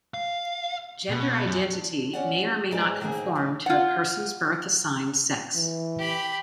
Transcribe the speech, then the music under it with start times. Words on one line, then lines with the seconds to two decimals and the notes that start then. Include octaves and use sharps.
Gender identity may or may not conform to a person's birth assigned sex.
0.14 F5
1.09 B2
1.45 F#2
1.73 D4
2.13 C#4 D5 F#5
2.71 G#2 G#3 B3 G4 D5 A#5
3.00 A2 D#3 A#3 C4 G#4
3.35 A2 D3 D#4
3.66 F4 F#5
5.55 E3
5.99 G4 B5